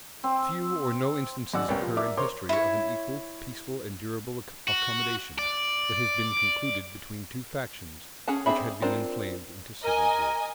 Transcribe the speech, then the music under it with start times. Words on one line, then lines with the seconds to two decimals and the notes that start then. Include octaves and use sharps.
Few or no instances occur in history of an equal, peaceful, and durable accommodation that has been concluded between two factions which had been inflamed into civil war.
0.24 C4
1.53 G#1 F#2 F#3 D5 F#5 E6
1.68 C2 B3 C#4 D4 A#4 G5
1.82 F3
1.96 D4 A#4 E5 D6
2.17 A#4 C5 C#5 C6 D6
2.49 E4 C#5
4.68 F#4
5.39 D5
8.28 C#4 G#4 F#5 A5
8.46 C4 D4 G#4 E5 B5
8.82 C4 D4 F4 A#4 C5
9.83 A#4 D#5 G#5